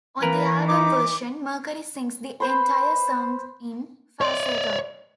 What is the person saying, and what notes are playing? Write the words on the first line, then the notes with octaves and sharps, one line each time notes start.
On the album version, Mercury sings the entire song in falsetto.
E3 A#3 A#4 B4 B5
D#4 D6
B4 C5 B5 C6
C#5 D5